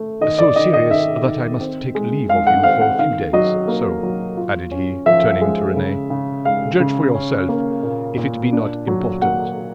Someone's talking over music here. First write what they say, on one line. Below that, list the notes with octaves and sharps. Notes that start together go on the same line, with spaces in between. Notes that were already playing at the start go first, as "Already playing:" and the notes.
"So serious that I must take leave of you for a few days; so," added he, turning to Renee, "judge for yourself if it be not important."
Already playing: A3
D#3 D#5
D5
D#3 D#5
D#5
D#3 E5
D#3
C4
G#3
G#3 F5
F#5
C4 F5
F#5
D#3 F5
F#3 D#5
A#3
F#3
F4
C#4
F3 E5
G#3
C#3
C#3
G#3 F5
C#3
C#4
A#3
A#2
A#2
D4
F#3
A#3 F#5